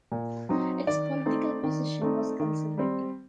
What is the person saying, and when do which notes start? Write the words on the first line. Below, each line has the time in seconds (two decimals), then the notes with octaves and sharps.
Its political position was Conservative.
0.12 A#2
0.49 F#3 C4 D#4
0.87 D#3 D5
1.26 A3 C4 D#4
1.63 D#3
2.01 A3 C4 D#4
2.40 D#3
2.78 G3 C4